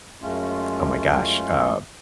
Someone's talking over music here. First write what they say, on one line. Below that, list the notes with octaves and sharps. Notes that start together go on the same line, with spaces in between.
oh my gosh, uh,
F#2 G#3 A3 C#4 F4